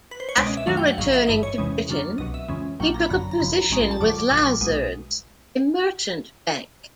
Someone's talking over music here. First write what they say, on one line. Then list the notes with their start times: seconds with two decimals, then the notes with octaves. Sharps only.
After returning to Britain, he took a position with Lazards, a merchant bank.
0.11 B4
0.20 C5
0.29 C#5
0.37 C#2 B2 G#3 C#4 D5
0.47 D#5
0.57 E5
0.67 F#2 D#3 F#3 A3 D4 F5
0.77 G5
0.87 F#5
0.97 A#1 G#2 D#3 F#3 F5
1.13 E5
1.27 G#1 G2 E3 D#5
1.43 C#5
1.58 E2 C3 E3 G#3 C#4
1.89 F#2 C#3 F#3 A#3 D4
2.18 C2 B2 F#3 D#5
2.34 E5
2.48 F2 C#3 E3 G#3 C#4
2.79 A#1 A#2 F#3 A#3 D4 G5
2.94 A#5
3.03 B5
3.09 G1 F#2 D3 F#3 A#5
3.31 A#5
3.40 G#1 F#2 C#3 F3 B5
3.55 A#5
3.70 A#1 G#2 F3 G#3 C#4 A#5
3.81 A#5
3.91 A5
4.00 F2 D3 F#3 D6
4.16 D6
4.30 A#1 A#2 F#3 D6
4.61 B1 B2 G#3